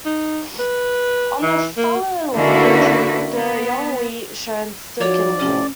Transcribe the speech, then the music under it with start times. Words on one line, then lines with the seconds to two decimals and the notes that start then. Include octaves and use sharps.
On the fallow land the young wheat shone silkily.
0.05 D#4
0.59 B4
1.42 E3
1.78 A#3
2.36 D3 A#3 C#4 E4 F#4 B4
3.33 B3
5.01 F3 D#4 F#4 C#5 D5
5.39 F2 A2 C3 C#4